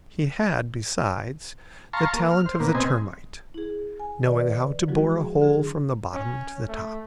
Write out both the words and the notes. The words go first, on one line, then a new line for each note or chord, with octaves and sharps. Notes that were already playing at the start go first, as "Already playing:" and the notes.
He had, besides, the talent of the termite--knowing how to bore a hole from the bottom to the top.
F5 A5 A#5 C6 C#6
A#3
F6
C5
A#2 A#3 B3
C3 B3 C4 D#5 G#5
E4 G#4
G#5
D#3 B4 D5 D#5
F3 F#3 G#3 E4 F#4 G4
G#4
D3 D4 G#4 A4
C#4
A3